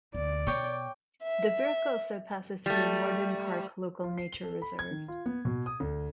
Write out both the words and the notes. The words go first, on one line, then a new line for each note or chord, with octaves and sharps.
The brook also passes through Morden Park Local Nature Reserve.
D2 D5
B2 C#5 G5 D6
E5
G3 A3
F4
C7
G7
A4
B5
G#6
D#3
F4
B3
B2
D#6
D2